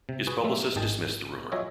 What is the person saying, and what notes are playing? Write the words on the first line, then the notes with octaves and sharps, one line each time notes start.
His publicist dismissed the rumor.
C3
F#4 G#4 B4 F#5 G#5
F#3 A3 A#3 E5
G#1 D#3 G#4 G5 A5
F#3 F4 G#4 C#5 D#5 E5